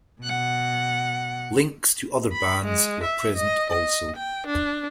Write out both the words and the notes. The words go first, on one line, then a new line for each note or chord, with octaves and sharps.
Links to other bands were present also.
B2 F#5
B5
G#3
E5
D#5
D#5
G5
D4